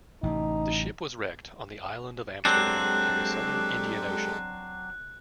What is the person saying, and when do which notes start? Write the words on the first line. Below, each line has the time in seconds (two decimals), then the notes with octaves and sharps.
The ship was wrecked on the Island of Amsterdam in the southern Indian Ocean.
0.23 A1 C3 D#4
2.45 F#3 G#3 C4 D4 G4 A4 F#6